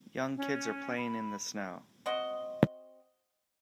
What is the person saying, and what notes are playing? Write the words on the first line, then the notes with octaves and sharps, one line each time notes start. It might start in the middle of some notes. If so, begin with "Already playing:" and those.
Young kids are playing in the snow.
C#4
B5
C4 F#4 D#5